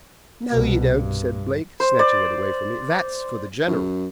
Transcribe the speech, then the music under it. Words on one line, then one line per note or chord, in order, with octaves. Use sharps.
"No, you don't," said Blake, snatching it away from me, "that's for the General."
C2 B2
G2
C5
D5
F#2